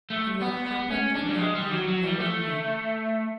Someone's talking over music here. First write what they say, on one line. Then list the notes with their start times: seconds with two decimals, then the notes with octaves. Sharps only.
And what happened in that night no one knows.
0.10 A3
0.42 B3
0.67 B3
0.90 C#4
1.15 D4
1.29 G3
1.39 G#3
1.55 G3
1.72 F#3
1.88 F#3
2.04 G3
2.20 A3